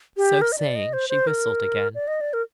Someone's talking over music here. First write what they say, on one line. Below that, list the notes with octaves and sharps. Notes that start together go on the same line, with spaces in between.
So saying, she whistled again.
G4
A#4
D#5
D5
D#5
C5
C5
A#4
D5
D#5
D5
A#4